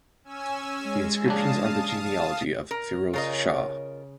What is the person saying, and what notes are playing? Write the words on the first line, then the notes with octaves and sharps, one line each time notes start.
The inscriptions are the genealogy of Firoz Shah.
C#4 G#5 E6
G#3
A#1 C#3 D4 F5 A5 D#6
A#4
C#3 F4 A#4 D#5